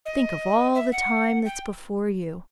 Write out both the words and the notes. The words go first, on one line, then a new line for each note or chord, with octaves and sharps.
Think of all the time that's before you.'
D#5
E5
F#5
G5